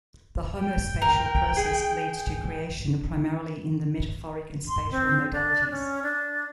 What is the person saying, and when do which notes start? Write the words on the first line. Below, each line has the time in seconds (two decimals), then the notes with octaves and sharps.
The homospatial process leads to creation primarily in the metaphoric and spatial modalities.
0.60 G5
1.02 A#4
1.57 G#4
4.68 C6
4.91 C4
5.33 D4
5.71 C#4
6.03 D4